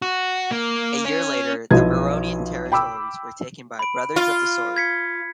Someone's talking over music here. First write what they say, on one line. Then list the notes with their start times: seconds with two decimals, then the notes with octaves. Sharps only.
A year later the Vironian territories were taken by Brothers of the Sword.
0.02 F#4
0.51 A#3
1.05 C#4
1.71 B1 F3 B3 E4 D#5 G#6
2.72 G5 B5 D6 E6
3.79 B5 D7
4.16 F4
4.76 G#6 B6 C#7